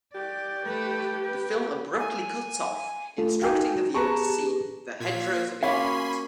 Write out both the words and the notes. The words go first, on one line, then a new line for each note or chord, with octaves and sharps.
The film abruptly cuts off, instructing the viewer to see 'The Hedgerows of England'.
G4 D5
A3 B4
B4
G#5
A3 F4 A4
D#4 F#4 F5 G5 G#5
B3 G4 G#4 B4 A5 A#5 C#6
A#2 F4 G#6 B6
A#3 C#4 F#4 C#5 F5 G#5 B5 C6